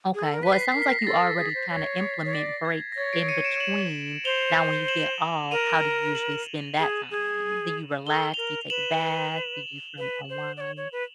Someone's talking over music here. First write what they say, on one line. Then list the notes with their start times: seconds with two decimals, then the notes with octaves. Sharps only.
Okay. Well, it sounds like you already kinda implement breaks in between. Now when you get off, how do you usually spend that time? Do you relax? Do you take a bath? Do you kinda unwind?
0.15 G#4
0.23 A4
0.34 A#4
0.42 B4 B6
0.53 C7
0.62 B6
0.72 A#4 C7
0.82 B6
0.99 A#6
1.06 A4 A6
1.16 A#4
1.22 A4
1.37 G#4
1.54 C5
1.70 C#5
2.25 C#5
2.33 D5 A#6
2.65 G#6
2.92 A#6
2.97 C#5 A6
3.13 C7 D7
3.28 C#7 D#7
3.45 D7 E7
3.60 E7 F#7
4.25 C5 F7 G7
4.88 E7 F#7
5.51 A#4 D#7 F7
6.15 E7 F#7
6.79 G#4
7.11 G#4
8.06 A4 G7
8.34 A#4 F7 G7
8.70 B4 E7 F#7
9.98 B4
10.30 C5
10.57 D5
10.61 C#5
10.77 C#5
10.92 B4